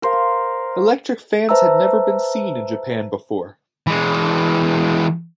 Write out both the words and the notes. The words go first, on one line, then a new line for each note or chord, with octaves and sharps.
Electric fans had never been seen in Japan before.
A#4 C5 F5
B4 C5 E5 A5 A#5 E6
E3 G#3